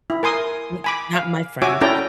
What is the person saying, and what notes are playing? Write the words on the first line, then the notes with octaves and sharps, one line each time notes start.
M not my friend.
E4
A#4 G#5 C6 D#6
G#5 B5 D6
F5
F#4 C#5 E5 G#5 D6
C#4 E4 A4 D5 G5 A#5